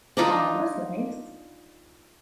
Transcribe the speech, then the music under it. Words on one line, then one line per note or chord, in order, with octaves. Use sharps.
Oh, that's nice.
D4 D#4 F4